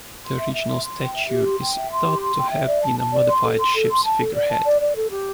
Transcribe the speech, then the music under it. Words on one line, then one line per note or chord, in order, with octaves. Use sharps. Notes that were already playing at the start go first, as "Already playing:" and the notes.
The original statue is thought to have been a modified ship's figurehead.
C6
E5
E5
C6
C6
G5
E5
G4
C6
G5
E5
C6
G4
C6
G5
E5
D5
A5
A5
D5
C6
A4
C6
A4
C6
A5
A4
D5
A5
D5
D5
A4
G4